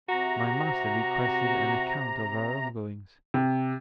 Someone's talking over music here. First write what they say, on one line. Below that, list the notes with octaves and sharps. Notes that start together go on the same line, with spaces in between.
My master requested an account of our ongoings.
C3 F#4 A#5
C3